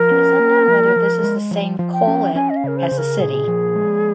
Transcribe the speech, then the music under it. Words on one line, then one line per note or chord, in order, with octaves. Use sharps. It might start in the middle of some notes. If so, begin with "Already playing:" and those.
It is unknown whether this is the same Kohlit as the city.
Already playing: F3 A#4
C#4
A#3
F3
F3
G#3
F3
F3
G5
C#4
C#4 G#5
D#5
F5
C#3 A#4
C5
C#3
A#4
A#2 G#4
F3
G#3